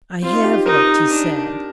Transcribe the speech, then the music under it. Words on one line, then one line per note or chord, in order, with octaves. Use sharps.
"I have looked," he said.
C4 F4
D#4
G4
D#4 A#4
D4